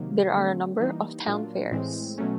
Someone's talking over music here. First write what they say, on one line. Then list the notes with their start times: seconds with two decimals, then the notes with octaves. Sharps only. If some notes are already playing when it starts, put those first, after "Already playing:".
There are a number of townfaires.
Already playing: C3 D#3 F#3 A#3
0.34 D3 F#3 A3 C4
0.80 E3 G3 A#3 D#4
1.26 A#2 F#3 A#3 D4 F4
1.72 A2 E3 G#3 C4
2.18 B2 F#3 A3 C#4